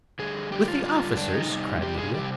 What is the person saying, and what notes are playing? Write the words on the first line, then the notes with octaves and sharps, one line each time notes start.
"With the officers!" cried Lydia.
D3 G3 G#4
D3 G3 G4
F4
D3 G3 F4
D3 G3 D4
D#4
C3 G3
C3 G3 G4
G#4
C3 G3 G4